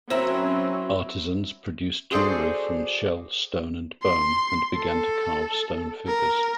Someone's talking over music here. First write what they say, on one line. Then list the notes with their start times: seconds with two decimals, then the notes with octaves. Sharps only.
Artisans produced jewelry from shell, stone, and bone, and began to carve stone figures.
0.10 F#3 C4 C#4 E4 A#4 C5 E5
2.11 F#4 G#4 A4 C5 D5
4.03 C6
4.76 A4
6.07 A#4